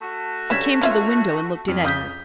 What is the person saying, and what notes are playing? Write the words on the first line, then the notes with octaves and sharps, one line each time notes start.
He came to the window, and looked in at her.
A3 F#4
D3 G3 C#4 G#6 B6 E7
C#4 F4 E5 G#6
F2
C#3 D#6 G6 B6